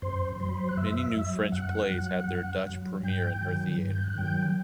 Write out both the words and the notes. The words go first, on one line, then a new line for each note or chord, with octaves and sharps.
Many new French plays had their Dutch premiere in her theatre.
F#2 C5 C6
F#3 C6
B5
C5 C6
F#6
F#2 E5 E6
F#3
F#2 F#5 F#6
F#3
F#2
F#3
G2 G5 G6
D#3 F#3
G2
G6
F#6
D#3 F#3 G5 G6